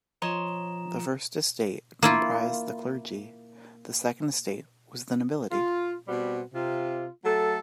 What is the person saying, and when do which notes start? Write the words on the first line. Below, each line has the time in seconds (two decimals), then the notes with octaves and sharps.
The First Estate comprised the clergy; the Second Estate was the nobility.
0.22 F3 C#5 D#5 A#5 C6 E7
2.02 A#3 E4 F4
5.52 F4
6.08 B2 G3 C4 F#4
6.53 C3 F4
7.24 F#3 A3 A4